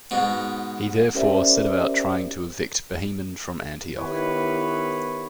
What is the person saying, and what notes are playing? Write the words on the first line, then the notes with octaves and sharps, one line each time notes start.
He therefore set about trying to evict Bohemond from Antioch.
G#2 B2
C#4 G4 A#4 C5 D5 E5
D#3 B3 E4 G4 B4 C#5